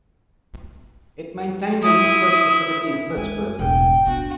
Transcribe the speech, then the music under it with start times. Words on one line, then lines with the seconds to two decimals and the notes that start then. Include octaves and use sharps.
It maintained a research facility in Pittsburgh.
1.83 E4 D#6
3.16 G#3 A3 G#5
3.59 E1 A1 G5
4.07 B3 D4 F#4